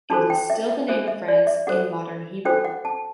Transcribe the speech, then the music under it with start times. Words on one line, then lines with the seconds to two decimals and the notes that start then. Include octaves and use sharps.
It is still the name of France in Modern Hebrew.
0.10 D4 F#4 A4 C5 A5
0.30 G5
0.50 E5
0.69 E5
0.88 D4 F#4 A4 C5 E5
1.08 E5
1.28 D5
1.47 E5
1.67 D4 F#4 A4 C5 F#5
2.45 D4 F#4 A4 C5 G5
2.65 F#5
2.85 A5